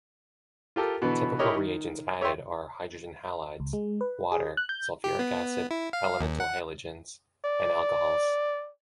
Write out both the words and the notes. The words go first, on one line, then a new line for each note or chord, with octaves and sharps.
Typical reagents added are hydrogen halides, water, sulfuric acid, elemental halogens and alcohols.
F4 G4 A4 A#4
B2 D3 E3 B3
E4 G4 A#4 C#5 D#5
D#3
C#5 E5 G5 C6
C#2
G#3
B4
G#4
F#6
G6
G4
B3
E4
F5
D#2
F#5
D5